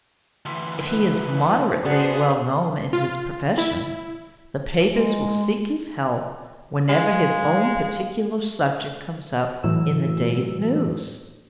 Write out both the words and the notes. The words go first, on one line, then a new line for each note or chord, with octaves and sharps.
If he is moderately well-known in his profession, the papers will seek his help whenever his own particular subject comes up in the day's news.
D2 E3 C6
B4
F#4 G#4 B4 C5 D5 F#5 A5
F4
E4
G#3
G#3 F5
A2 E3 F#3 E6